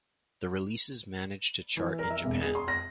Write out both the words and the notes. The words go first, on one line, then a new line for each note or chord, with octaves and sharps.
The releases managed to chart in Japan.
E3
A#4
E5
E1
G#4
C6
A#6